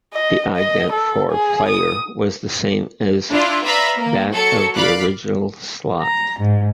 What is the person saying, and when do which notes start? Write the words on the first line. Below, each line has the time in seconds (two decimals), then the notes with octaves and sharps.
The ident for Player was the same as that of the original slot.
0.13 D#5
0.56 D#5
0.92 A4
1.31 G#4
1.69 D#6
3.30 D4 E4 F4
3.64 B4 D5 E5 F5 A#5 B5
3.97 A#3
4.32 F#3 A4 C#7
4.76 D5 F5 B5 F#6
6.01 A#5
6.40 G#2